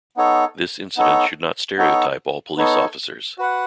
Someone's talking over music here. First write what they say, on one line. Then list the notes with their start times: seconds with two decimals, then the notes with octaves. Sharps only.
This incident should not stereotype all police officers.
0.17 B3 D#4 A4 C#5
0.97 B3 D#4 A4 C#5
1.77 B3 D#4 A4 C#5
2.57 B3 D#4 A4 C#5
3.38 F#4 B4 F#5